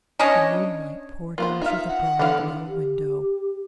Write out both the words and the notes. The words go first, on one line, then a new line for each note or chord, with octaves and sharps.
The moonlight poured in through the broad, low window.
C#4 D4 C#5 D#5
A#3 B3 F4 C5
D#4 E5 F5
F#5
D3 E3 B3 D4 F5
G4